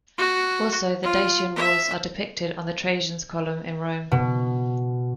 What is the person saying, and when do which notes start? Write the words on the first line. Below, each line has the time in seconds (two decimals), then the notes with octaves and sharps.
Also the Dacian walls are depicted on the Trajan's column in Rome.
0.17 F#4
1.03 F4
1.56 E5
4.12 B2